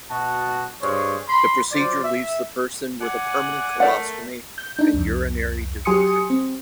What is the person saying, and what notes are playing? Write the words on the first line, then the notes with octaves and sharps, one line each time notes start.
The procedure leaves the person with a permanent colostomy and urinary diversion.
B2 F#4 D#5 A5
G2 G#4 C5 C#5
B5 C6
F#3 F4 C5 D5
E5
D5 F#5 G#5
A3 A#4 D5 F#5
G6
D4 D#4
C2 F2
F#3 G4 G#5 C6 D#6 C#7
C4